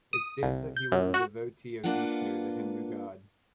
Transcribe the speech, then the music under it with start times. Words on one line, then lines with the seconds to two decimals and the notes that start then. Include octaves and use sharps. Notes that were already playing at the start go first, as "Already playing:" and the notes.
It states that he was a devotee of Vishnu, the Hindu god.
0.13 D#6
0.43 C2
0.76 G6
0.92 F#2
1.14 F#4
1.84 A#3 D4 F4 B4 F#5